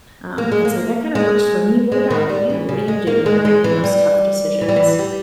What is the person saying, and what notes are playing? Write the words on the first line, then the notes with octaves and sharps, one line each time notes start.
um, and so that kinda works for me. What about you? What do you do when you're making those tough decisions?
A#3
G#3
A#3
G#3
G#3
D#3
G3
E3
C#3
G#3
A#3
G#3
G#3
E3
G3
E3
G3
E3
G3